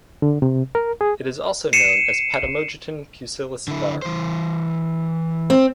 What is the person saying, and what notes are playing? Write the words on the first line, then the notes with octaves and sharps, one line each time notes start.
It is also known as Potamogeton pusillus var.
D3
C3
A#4
G#4
C7 C#7 D#7 E7
D3 E4
E3 C5
C4